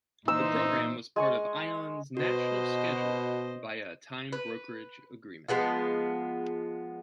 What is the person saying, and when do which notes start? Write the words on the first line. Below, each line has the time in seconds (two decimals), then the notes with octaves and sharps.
The program was part of Ion's national schedule via a time brokerage agreement.
0.28 A#2 E3 D#4 C5 E6
1.16 G#3 G#5 C#6
2.17 B2 F#4 C5 D#5
4.32 B4
5.49 F3 G#3 B3 F4